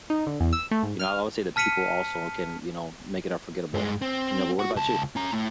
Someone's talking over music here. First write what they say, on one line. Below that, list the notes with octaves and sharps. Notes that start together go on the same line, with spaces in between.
you know, I would say the people also can, you know, make it unforgettable, you know. But what about you?
D#4
D3
E2
E6
A3
G#2
F6
A5 F6 B6 C#7 D#7
G2 G#3
C4
F#4 F#5
C#2 A5
C#4 A#5
A2